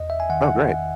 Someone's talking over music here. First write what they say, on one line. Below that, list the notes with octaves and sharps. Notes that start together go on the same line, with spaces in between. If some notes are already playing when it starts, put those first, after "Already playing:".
Oh, great.
Already playing: E2 D#5
E5
G#5
D#3 F#5
F#5